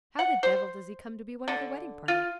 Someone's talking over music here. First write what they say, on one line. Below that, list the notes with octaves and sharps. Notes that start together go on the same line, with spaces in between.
"How the devil does he come to be one of the wedding party?"
F#5
C5
D3
F4